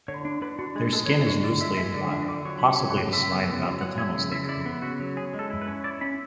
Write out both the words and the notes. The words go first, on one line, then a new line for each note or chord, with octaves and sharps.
Their skin is loosely applied, possibly to slide about the tunnels they create.
D3 C#5
D4
D4 B4
D4 F#4
G#3 G#4
G#3 A4
C#5
D4 B4
G#3 C#5
D3 D5
G#3 E5
G#3 E5
D3 D5
D4 E5
D3 D6
F#3 C#6
C#3 B5
C#6
F#3
F#5
C#3
C#3 E5
B3
C#3
F#3
F#3 F#5
E4 G#5
C#3
C#3 E5
E4 D5
B3
C#3 F#4
F#3
C#4 G#4
G#3
A4
E4
B4
C#4
E4 D5
C#4 B5